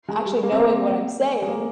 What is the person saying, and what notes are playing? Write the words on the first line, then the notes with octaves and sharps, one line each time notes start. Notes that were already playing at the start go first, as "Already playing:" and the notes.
actually knowing what I'm saying."
G#3
G3
A#3
C4
A#3
G#3
A#3